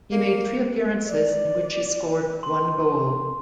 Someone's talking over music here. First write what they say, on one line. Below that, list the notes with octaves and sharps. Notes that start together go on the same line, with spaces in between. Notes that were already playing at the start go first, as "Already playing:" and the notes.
He made three appearances in which he scored one goal.
A#3
D5
C6